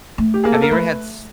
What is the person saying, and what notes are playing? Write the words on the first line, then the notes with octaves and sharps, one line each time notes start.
Have you ever had s
A3
G4
A#3 G#4
A4
A#4
A3 B4